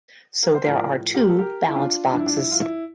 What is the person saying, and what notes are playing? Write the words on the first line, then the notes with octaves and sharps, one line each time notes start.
So there are two balance boxes.
A#4
C5
A2 F3 A#4 D5
G4 A#4
A4
G4 A#4
E4
D4 F4
G2 F3 D4
E4
D4
E4
F4
E4